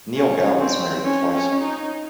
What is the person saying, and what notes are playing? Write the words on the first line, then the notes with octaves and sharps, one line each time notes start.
Niel Gow was married twice.
C#4
C4
C#4
C#4
D#4